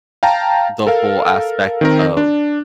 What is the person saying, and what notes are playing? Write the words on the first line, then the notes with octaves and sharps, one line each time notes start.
the whole aspect of
F5 G5 A5 A#5
A4 A#4 F5
D#3 C4 A#4
D4